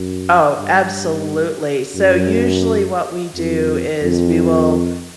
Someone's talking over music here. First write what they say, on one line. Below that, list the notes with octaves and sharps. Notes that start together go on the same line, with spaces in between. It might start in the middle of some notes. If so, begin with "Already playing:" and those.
Oh, absolutely, so usually what we do is we will
Already playing: F#2
G2
F#2
F2
F2